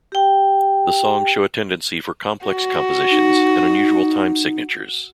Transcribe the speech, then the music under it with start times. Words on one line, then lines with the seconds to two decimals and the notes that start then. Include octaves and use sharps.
The songs show a tendency for complex compositions and unusual time signatures.
0.12 G4 G5
2.46 F#4
3.11 D#4